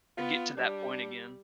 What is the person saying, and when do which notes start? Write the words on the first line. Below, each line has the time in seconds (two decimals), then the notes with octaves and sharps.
get to that point again."
0.17 B3 F4
0.57 G3 D4